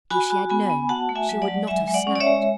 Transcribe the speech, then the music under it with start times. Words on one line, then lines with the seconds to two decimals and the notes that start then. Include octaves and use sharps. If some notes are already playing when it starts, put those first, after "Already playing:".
If she had known she would not have snapped.
0.10 F#4 G#5 B5
0.30 F#4
0.50 B3 G#5 B5
0.70 B3
0.89 F#4 F#5 A5
1.09 A3
1.15 E5 G#5
1.29 F#3
1.42 D5 F#5
1.48 F#3
1.67 G#3 E5 G#5
1.88 G#3
1.94 D5 F#5
2.07 C#4
2.15 D5
2.20 C#5 E5
2.27 G#3